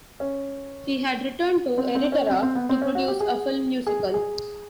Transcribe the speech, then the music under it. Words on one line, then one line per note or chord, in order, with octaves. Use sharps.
He had returned to Eritrea to produce a film musical.
C#4
C4
C4
C#4
C4
C4
B3
C4
C#4
F#4
G4
G#4
G#4
G#4